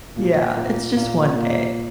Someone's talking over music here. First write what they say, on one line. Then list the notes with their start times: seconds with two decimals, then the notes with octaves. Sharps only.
Yeah, it's just one day.
0.16 A#2 A#3 F4
0.56 A#2 A#3 F4
0.96 A#2 A#3 F4
1.37 A#2 A#3 F4